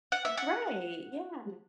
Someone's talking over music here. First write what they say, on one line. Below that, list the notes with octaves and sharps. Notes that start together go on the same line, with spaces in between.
Right. Yeah.
F#5
E5
F#5